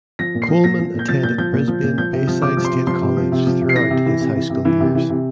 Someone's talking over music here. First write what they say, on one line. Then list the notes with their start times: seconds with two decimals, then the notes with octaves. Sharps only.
Coleman attended Brisbane Bayside State College throughout his high school years.
0.19 F3 A#6
0.34 A#2
0.42 C7
0.48 F3
0.64 A#2 A#6
0.79 F3
0.94 A#2
0.99 G6
1.08 F3 A6
1.23 A#2 G6
1.38 F3 G6
1.53 A#2
1.68 F3
1.83 A#2
1.98 F3 G6
2.13 C3
2.27 F3
2.42 C3 D6
2.57 F3
2.65 C6
2.72 C3
2.87 F3 C6
3.01 C3
3.17 F3
3.32 C3
3.47 F3
3.61 C3
3.69 C7
3.76 E3 A#6
3.90 C3
4.06 E3
4.20 C3
4.36 E3
4.50 C3
4.65 E3
4.80 C3
4.95 E3
5.10 C3